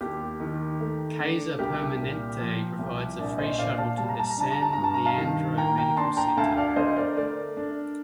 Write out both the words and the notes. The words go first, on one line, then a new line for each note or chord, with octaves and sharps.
Kaiser Permanente provides a free shuttle to their San Leandro Medical Center.
D#2 G4
D#3
A3
D4
C2 G4 A#4
A#2
F3
C2
A#1 A#4 D5
C5 D#5
A#2 D5 F5
F5 A5
G3 A5
A#5
A5
A#5
D4 A5
A#5
A5
G2 A#5
A5
A#5
F5 A5
D#3
A#3 G5 A#5
G5 A#5
D4 A5 C6
G5 A#5
D2 F5 A5
D5 F5
D3 C5 D#5
A#4 D5
A3 A#4 D5
D4